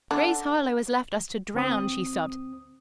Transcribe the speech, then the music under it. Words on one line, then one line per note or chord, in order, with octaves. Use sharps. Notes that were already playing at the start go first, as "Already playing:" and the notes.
"Grace Harlowe has left us to drown," she sobbed.
D3 D4
D2 C4 D#6